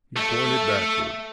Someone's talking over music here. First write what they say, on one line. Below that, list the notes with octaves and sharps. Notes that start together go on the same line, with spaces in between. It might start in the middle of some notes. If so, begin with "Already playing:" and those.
He pointed backward.
A3